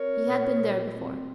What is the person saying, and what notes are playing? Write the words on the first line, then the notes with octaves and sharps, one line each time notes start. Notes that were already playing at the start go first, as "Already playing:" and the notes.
He had been there before.
Already playing: C4 A#4 C#5
A#2
A#2
C4